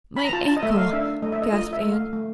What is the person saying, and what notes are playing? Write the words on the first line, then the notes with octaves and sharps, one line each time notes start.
"My ankle," gasped Anne.
B5
A#5
F4 A5
A5
D#5
A3 E5
F5
D4 E5
A3 D#5
E5
D#5
F4 D#5
E5
A3
F5
A3